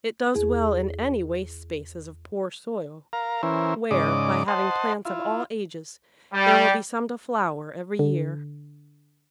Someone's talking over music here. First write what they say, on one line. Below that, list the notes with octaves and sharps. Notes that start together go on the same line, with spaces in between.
It does well in any waste spaces of poor soil, where, by having plants of all ages, there will be some to flower every year.
E2 G#4
A#4 F5 A#5
E3 C#4 E4 A#4 C5
G#2 C#3 D5 D#5 D6
C5 D#5 F#5 A5 C6
E4 F4
G3
D3